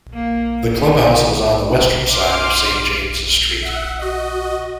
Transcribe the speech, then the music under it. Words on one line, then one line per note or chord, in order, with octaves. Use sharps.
The clubhouse was on the western side of Saint James's Street.
A#3
B3 D#4
C6 D6 F6
E5 F#5
F#4 D#5